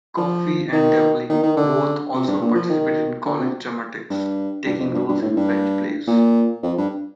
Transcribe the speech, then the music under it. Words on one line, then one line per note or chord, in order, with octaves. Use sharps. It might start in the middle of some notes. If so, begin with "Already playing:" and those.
Coffey and Devlin both also participated in college dramatics, taking roles in French plays.
F3
D#3
D#3
D#3
D3
C3
G2
A#2
F3
D#3
D3
C3
G2
G2
F2
G2
G2
A2
G2
A#2
F2
G2